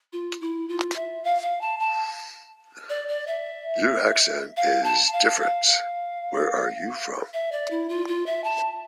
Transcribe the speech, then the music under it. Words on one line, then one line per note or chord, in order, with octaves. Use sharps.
Your accent is different, where are you from?
F4
E4
F4
E5
F5
F5
A5
A5
D5
D5
E5
F5
A5
F5
F5
F5
E5
D5
E4
F4
F4
E5
A5